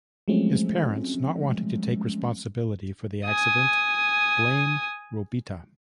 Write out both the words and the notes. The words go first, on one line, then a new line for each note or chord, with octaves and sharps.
His parents, not wanting to take responsibility for the accident, blame Robita.
F3 F#3 G#3 A3 C4 C#4
G#5 D#6